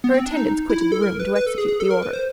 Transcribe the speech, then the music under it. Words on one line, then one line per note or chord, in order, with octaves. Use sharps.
Her attendants quitted the room to execute the order.
B3
C4
D4
D#4
E4
E4
A4
A#4
B4
B4
A4
G#4
G#4
A4
A#4
B4
C5